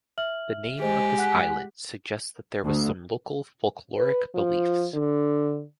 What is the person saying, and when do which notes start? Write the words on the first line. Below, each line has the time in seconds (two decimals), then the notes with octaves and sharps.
The name of this islet suggests that there were some local folkloric beliefs.
0.18 E5 F6 F#7
0.80 G#3 G4 G#4 C5 D#5 G#5
1.18 F#5 F#6 B6
2.64 D2
3.98 B4
4.35 F3
4.94 D3